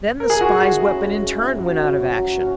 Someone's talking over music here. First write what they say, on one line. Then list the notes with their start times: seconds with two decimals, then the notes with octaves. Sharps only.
Then the spy's weapon in turn went out of action.
0.20 A#4
0.30 G#4
0.40 G#3 F#4
0.69 C#4 E4
0.98 G#3
1.26 C#4 E4
1.55 F#3
1.83 C#4 F#4
2.12 F#3
2.40 C#4 F#4